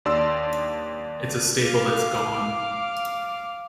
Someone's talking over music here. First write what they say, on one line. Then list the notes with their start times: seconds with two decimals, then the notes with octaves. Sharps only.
It's a staple that's gone.
0.05 D#2 D4 D5 C6 E6
1.63 F5 D6